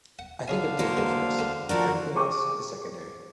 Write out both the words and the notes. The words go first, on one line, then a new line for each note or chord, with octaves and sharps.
I have to think of David first, everything else is secondary.
F#5
D3 G#4 C#5 F5 G#5
F#3 A#3 C5
E3 G#3
A4 G5
F3 A3 D4 F#4 A#4
G4 G#4 G5 A5 C#6 D6